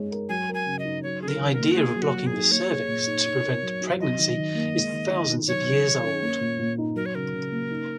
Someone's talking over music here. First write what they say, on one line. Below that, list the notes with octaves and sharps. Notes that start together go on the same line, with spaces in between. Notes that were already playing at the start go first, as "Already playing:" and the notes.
The idea of blocking the cervix to prevent pregnancy is thousands of years old.
Already playing: G#3 D#4 C#5
A#4
F#3 G#5
A#4
G#5
C#3
D#5
D#4
F#3 C#5
C#4 G#4
A#4
D#3
A#4
A#3
F#4
A#3 G#4
F#3
F#4
F#3
G#4
D#4
A#3 C#5
G#4
A#2
D#4
D#4
A#4
F#3
F#4
F#3 D#5
D#3
D#3
A#3
G#3
D#3
D#3
D#4
F#3 C#5
G#4
D#3
C#4
A#3
A#2
A#2
D#4
F#3 A#4
C#5
C#3 A#4
C#3
A#3
D#4